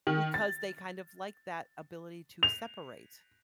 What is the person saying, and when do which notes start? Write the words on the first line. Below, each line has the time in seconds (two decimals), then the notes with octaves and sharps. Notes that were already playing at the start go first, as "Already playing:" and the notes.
because they kind of like that ability to separate.
0.07 D#3
0.34 A6
2.43 F7